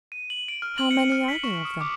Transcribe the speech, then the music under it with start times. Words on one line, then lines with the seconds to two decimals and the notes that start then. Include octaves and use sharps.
"How many are there of them?"
0.12 D#7
0.30 F#7
0.48 D7
0.62 F6
0.78 F#7
0.91 C#7
1.12 F6
1.28 B6
1.44 C#6
1.65 D#6
1.81 D6